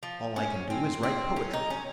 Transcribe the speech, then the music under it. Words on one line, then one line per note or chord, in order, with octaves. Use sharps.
All I can do is write poetry.
F3
C#4
C4
C4
C#4
D#4
C#4